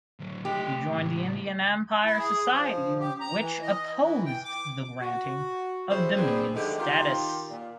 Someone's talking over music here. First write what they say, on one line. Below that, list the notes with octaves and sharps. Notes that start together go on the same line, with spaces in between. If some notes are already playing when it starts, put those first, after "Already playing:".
He joined the Indian Empire Society which opposed the granting of Dominion status.
D3 F#3
A3 G4 D#5
C#2 A2
E4
G#4
F3
G4
A#5
E3
D#5
E3
G5
D6
F#4
G3 C#4 E4 G#4 C5
F#2 B3 C4 D4 G#4 B4
D3 D#3 G#3 A3 D#4 G4
D#3 F4 G4
A#2